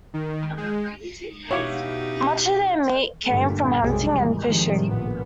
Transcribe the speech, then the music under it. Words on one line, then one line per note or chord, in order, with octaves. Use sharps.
Much of their meat came from hunting and fishing.
D#3
G#3
B2 D#4 E4 F#4 G4 C#5 F5 D6
G2 A#2 D3 G3 A3
B1 F#2 C3 G3 G#3
G#1 E2
A2 C3 D#3 F3 G#3
A#1 A#2 B3